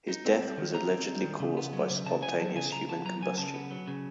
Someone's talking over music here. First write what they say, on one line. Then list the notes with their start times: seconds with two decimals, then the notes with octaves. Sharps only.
His death was allegedly caused by spontaneous human combustion.
0.08 D#4
0.25 C4
0.41 G3
0.58 D#3
0.74 D#4 A#5
0.91 C4
1.07 G3
1.24 D#3
1.40 C#3
1.57 B3
1.73 F#3
1.90 C#3
2.06 C#3 A5
2.22 B3 G#5
2.39 F#3 A5
2.56 C#3 G#5
2.72 C#3 A#5
2.88 B3 A5
3.05 F#3 A#5
3.22 C#3 G#5
3.38 C#3 A5
3.54 B3
3.71 F#3
3.88 C#3